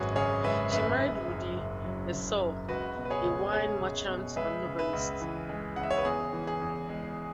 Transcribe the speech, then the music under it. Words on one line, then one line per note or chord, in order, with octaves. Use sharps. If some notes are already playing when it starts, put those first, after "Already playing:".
She married Rudi Nassauer, a wine merchant and novelist.
Already playing: G#1 F#2 G#3 F#4 G#4 B4 C#5
C#3 G#4 C#5
G#3 B4 E5
F#2 B4 E5
F#1
F#2
F#1
F#3
F#1
F#2
C#2 F#4 B4
B2
B4
G#4 C#5
C#2
G#3 G#4 C#5
C#2
B2
G#3 B4 E5
C#3
B4 E5
C#2
E3
G#3
C#3 F#5
E5
C#5
B4
E2 G#4
E3
G#4
E2
G#3